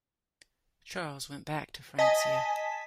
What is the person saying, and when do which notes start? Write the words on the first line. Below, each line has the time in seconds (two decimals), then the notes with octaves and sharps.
Charles went back to Francia.
1.99 D#5 G#5 A5 B6